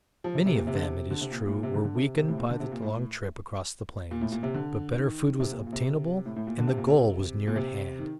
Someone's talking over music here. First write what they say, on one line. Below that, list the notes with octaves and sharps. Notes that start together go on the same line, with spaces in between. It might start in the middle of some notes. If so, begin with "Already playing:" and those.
Many of them, it is true, were weakened by the long trip across the Plains; but better food was obtainable, and the goal was near at hand.
F3
C3
C3
A#2
C3
D3
C3
D3
C3
A#2
A#2
A2
A#2
C3
D3
D3
C3
C3
A2
A#2
D3
C3
A#2
A2
A#2
A2
A#2
C3
D3
D#3
C3
A#2
A#2
C3
A2
A2
A#2
D3
C3
A#2
C3
A#2
C3
D#3